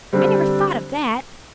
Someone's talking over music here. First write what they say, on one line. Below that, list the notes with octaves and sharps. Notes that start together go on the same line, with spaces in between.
I never thought of that.
D3 G3 C4